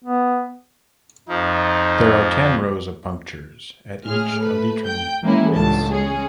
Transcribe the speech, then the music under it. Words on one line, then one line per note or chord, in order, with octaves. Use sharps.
There are ten rows of punctures at each elytron base.
B3
F2 F3 D#4
A2 G#3 G#4 F6
A3 B4
G5 G6
E3 G#3 A#3 C#4 E4
G1 C#2 A2 A5
G#3 C#4 G#4